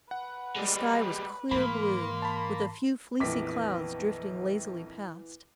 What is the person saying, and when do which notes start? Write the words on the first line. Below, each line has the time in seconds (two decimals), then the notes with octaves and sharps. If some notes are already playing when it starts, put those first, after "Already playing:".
The sky was clear blue, with a few fleecy clouds drifting lazily past.
0.11 B4 F#5
0.56 G3 G#3
1.51 G#2 E3 A#3 B5 C6
2.22 A5 B5
3.20 A#1 F2 E3 B3 D6 B6